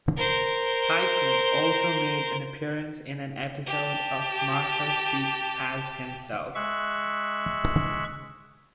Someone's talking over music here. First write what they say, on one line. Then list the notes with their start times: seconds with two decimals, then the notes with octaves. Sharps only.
Tyson also made an appearance in an episode of "Martha Speaks" as himself.
0.17 A#4 C5
3.67 G4 A5
6.55 G#3 E5 C#6 F#6